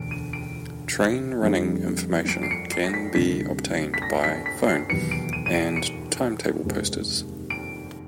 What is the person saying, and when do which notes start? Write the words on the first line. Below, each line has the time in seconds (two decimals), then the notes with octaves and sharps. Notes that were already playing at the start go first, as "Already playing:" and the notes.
Train running information can be obtained by phone and timetable posters.
Already playing: E1 D2 D3 D7
0.11 D#7
0.33 D7
1.42 F2 D3 G3
2.29 D7
2.43 C7
2.51 C#7
2.72 C7
2.84 A#6
2.94 B6
3.15 D2 C3 D#3 G3 B6
3.94 B6
4.02 A#6
4.24 B6
4.46 B6
4.68 C7
4.89 E1 D#2 D#3 F#3 B3 C#7
5.11 D7
5.33 D#7
5.46 D#7
5.54 D7
5.76 C#7
6.63 F1 D#2 D#3 G#3 C4
7.50 D7